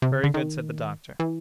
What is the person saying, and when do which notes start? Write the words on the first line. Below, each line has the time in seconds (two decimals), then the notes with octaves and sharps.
"Very good!" said the doctor.
0.02 C3
0.12 C#3
0.24 D3
0.34 D#3
1.20 E3